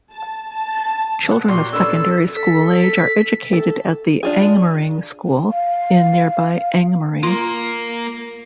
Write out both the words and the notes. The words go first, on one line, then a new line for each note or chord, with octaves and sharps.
Children of secondary school age are educated at The Angmering School in nearby Angmering.
A5
A5
F5 F#5
A#2 F#4 G4 C6
C#4 D4 A4 B4 E6
A4
A4 B6
A4
D4 F4 G#4
F5
A#3 F4 A#4 C6